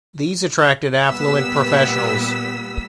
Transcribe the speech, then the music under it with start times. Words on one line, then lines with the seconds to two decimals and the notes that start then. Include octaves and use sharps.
These attracted affluent professionals.
1.09 A#2 G3 A#3 B3 E6 B6